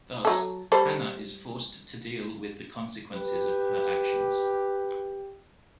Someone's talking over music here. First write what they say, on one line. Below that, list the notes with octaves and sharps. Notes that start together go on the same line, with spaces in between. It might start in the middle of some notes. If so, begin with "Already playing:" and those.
Thus, Hannah is forced to deal with the consequences of her actions.
F#3 A4
G3 A4 C5
G4 B4